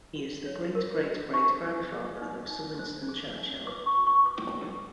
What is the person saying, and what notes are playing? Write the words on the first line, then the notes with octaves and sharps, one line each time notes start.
He is the great-great-great grandfather of Sir Winston Churchill.
F#4
C#5
A#4
F#4
D#4 C#6
C5
G#4
D#4
D#4
C5
G#4
D#4
B4 D6
C#6
F#4
C#6
B4 D6
F#4